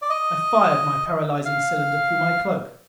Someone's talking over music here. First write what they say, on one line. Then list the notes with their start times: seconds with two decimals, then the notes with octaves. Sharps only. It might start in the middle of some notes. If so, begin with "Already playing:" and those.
I fired my paralyzing cylinder through my cloak.
0.02 D5
0.10 D#5
1.45 F5